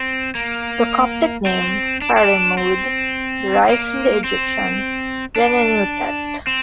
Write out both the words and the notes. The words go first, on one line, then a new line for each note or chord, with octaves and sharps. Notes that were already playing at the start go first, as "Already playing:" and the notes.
The Coptic name "Paremoude" derives from the Egyptian Renenutet.
Already playing: C4
A#3
C4
D4
D4
C4
A#3
C4
D4
C4